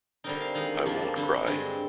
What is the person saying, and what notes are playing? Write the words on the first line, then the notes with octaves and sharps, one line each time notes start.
I won’t cry.
D3 G3 C4 D#4 A#4
F5
D#3 G#3 D#4 F5
G2 F3 A#3 D4
D3 G3 C4
G2 D3 G#3 C4